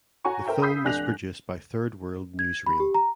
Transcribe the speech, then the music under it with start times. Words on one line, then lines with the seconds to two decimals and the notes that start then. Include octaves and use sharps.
The film was produced by Third World Newsreel.
0.25 F#4 C#5 G#5 A#5 C#6
0.46 A#4 C5 E5 G5 A#5
0.62 B5 D#6 E6 G6 B6 C7
0.84 F1 D4 G#5 F#6 A#6 F7
2.39 G#6
2.66 B5
2.80 G4
2.94 A#5